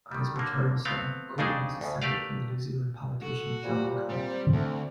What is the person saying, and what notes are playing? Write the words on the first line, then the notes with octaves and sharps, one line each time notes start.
On his maternal side, Courtney was descended from the New Zealand politician John Cuff.
D#3 G3
D3 A#3
A3 B3 C4 F5
F2 C#3 D4 D#4 G#4 C5
D2 B2
A3 G4 A#4 B4 D5 F5
F#4 A4
A#2 G3 C5
G3 C4
D2 A3 F#5